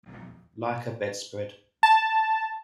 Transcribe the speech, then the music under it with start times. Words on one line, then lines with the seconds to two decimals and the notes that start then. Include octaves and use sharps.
Like a bedspread.
1.83 A5